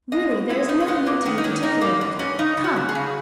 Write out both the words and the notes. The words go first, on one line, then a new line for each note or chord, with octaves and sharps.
"Really, there is no need to be particular with her; come."
G#3 D#5
B2
G#3 E4
B2 D#4
C#4
G#3 B3
G#2 A#3
D#3 B3
D#4
D#3 C#4
G#2 D#4
E3 A#3
G#2
G#2 C#4
C#3 D#4
C#3
F#4
C#3
G#4
C#3